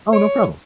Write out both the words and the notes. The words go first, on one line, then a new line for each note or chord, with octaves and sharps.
Oh, no problem.
C#5